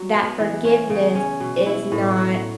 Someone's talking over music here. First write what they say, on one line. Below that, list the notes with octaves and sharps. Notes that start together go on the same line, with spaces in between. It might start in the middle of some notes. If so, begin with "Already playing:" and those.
that forgiveness is not
Already playing: F#3 F#4
B3
E3
C#4
C#3
C#4
B2
E4
A2
F#4